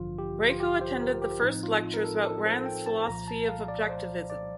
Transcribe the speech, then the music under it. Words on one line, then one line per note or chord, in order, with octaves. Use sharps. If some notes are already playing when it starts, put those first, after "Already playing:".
Raico attended the first lectures about Rand's philosophy of Objectivism.
Already playing: A1 G2 D3 F3 F4
G4
F4
G4
C5
A#4
G4
A2 F3 C4 D#4
F4
A#4
A4
A4
C5
G5
A5
C2 A#2 F3 A#5
A5
F5
D5
C5
D5